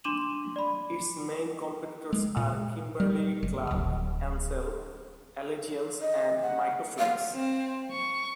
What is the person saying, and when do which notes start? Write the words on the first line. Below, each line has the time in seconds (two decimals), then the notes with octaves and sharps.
Its main competitors are Kimberly-Clark, Ansell, Allegiance and Microflex.
0.04 D4 C6 D6 D#7 E7 F#7
0.56 D5 B5
2.13 G#3
2.37 A#2
3.00 G3
3.43 F#1
3.71 D1
6.01 D#5
6.42 F#5
6.99 F5
7.33 C4
7.91 C#6